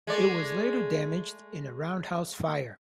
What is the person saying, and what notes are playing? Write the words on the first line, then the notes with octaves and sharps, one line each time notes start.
It was later damaged in a roundhouse fire.
G#3 A3 D5